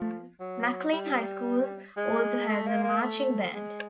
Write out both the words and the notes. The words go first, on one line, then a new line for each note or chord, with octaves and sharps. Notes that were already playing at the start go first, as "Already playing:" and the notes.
McLean High School also has a marching band.
Already playing: F3
F#3
G3
G#3
A3
A#3
A#3
A3
G#3